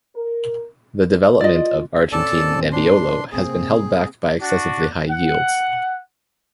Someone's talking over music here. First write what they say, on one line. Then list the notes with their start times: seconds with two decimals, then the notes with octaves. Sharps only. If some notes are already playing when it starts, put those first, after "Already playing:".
The development of Argentine Nebbiolo has been held back by excessively high yields.
0.16 A#4
1.41 F4 D5 D#5
2.12 A2 C4 C#4 A4 D5 A5
2.72 D4 C6
3.32 C3 A#3 C4 G#4
4.41 D4 F#4
5.08 F#5